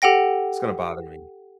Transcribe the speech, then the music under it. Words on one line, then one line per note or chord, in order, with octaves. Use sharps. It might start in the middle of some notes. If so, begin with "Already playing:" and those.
It's gonna bother me.
G4 A4 F#5 G5 A#6